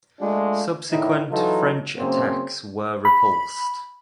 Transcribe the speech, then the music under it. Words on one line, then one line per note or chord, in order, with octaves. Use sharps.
Subsequent French attacks were repulsed.
G#3 A3 D4 F4
A2 D3 D#3 D#4 E4
E3 F#3 D#4 F4 A4
F#2 C#3 A#3 C4 C5
B5